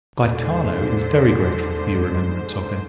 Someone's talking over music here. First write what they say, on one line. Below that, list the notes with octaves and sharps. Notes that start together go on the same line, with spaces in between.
Gaetano is very grateful for your remembrance of him.
E2 G#2 D3 C5